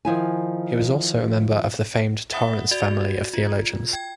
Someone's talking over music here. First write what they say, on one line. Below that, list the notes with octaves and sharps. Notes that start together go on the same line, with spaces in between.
He was also a member of the famed Torrance family of theologians.
D#3 F3 E4 G#5
E5 F#5 B5 D#6
F#4 D5 G#6
F4
G5 G#6